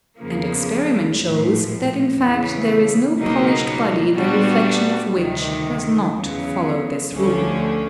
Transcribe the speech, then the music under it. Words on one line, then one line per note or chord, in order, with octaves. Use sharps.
And experiment shows that in fact there is no polished body the reflexion of which does not follow this rule.
E2 C#3 F3 A#3
A#1 A2 F3
E2 C#3 E3
C#2 B2 F#3 A#3 D#4
A#2 G3 B3 D4 F#4
D2 C3 D#3
E2 C#3 F#3
D2 D3 F3 A3 C#4